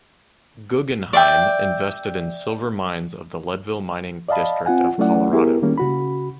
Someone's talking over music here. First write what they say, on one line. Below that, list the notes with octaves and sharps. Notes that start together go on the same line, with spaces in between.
Guggenheim invested in silver mines of the Leadville mining district of Colorado.
D5 E5 G5
D5 D#5 F5 A5 B5
C4 F4 F#5 G#5
F#3 A3 C#4 E4 D5 F#5
B3 E4 G4 G#4 A#4
D#3 G3 A#3 C#4
C#3 F#4 B5